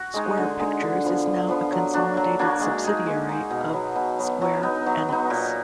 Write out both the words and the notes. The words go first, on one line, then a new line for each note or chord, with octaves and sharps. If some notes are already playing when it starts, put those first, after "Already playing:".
Square Pictures is now a consolidated subsidiary of "Square Enix".
Already playing: F#4
G#3 D#4 G#4
D3
G#3 D#4 G#4
D3
F3 B3 F4
D3
F3 B3 F4
F#3
A#3 D4 F#4
F#3
A#3 D4 F#4
G#3
D#4 G#4
G#3
D#4 G#4
B2
F#3 B3
B2
F#3 B3
F#3
B3 D#4
F#3
B3 D#4
A#2